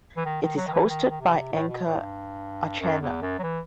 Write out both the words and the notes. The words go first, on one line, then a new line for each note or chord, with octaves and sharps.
It is hosted by anchor Archana.
E3
D#3
D#3
F#3
D#3
E3
E3
D#3
D#3
C3
A2
B2
A2
G2
F#2
E2
F#2
F#3
E3